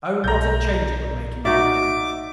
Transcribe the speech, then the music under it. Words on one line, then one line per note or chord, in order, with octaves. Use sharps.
O what a change it would make in your home!
B1 G#3 A#5 G6
D#4 F#4 D5 E5 D6